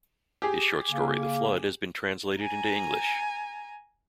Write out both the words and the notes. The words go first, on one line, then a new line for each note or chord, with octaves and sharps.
His short story "The Flood" has been translated into English.
G4 G#4
C#3 A#3
G#5 A#5